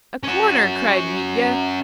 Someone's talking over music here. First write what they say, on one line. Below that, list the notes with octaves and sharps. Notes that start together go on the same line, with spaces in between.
"A corner!" cried Mitya.
C#4 F#4